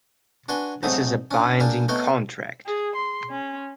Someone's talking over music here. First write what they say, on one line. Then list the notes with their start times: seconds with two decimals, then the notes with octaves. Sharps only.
This is a binding contract.
0.49 D4 F#4 B4 G#5 C6
0.83 G#2 F#3 A3 C4 D#6
1.31 C#4 D4
1.60 G3 A#3 D4 G#4
1.88 A3 B3 D#4 F#4 C#5 G5
2.66 G#4
2.96 C6
3.29 C#4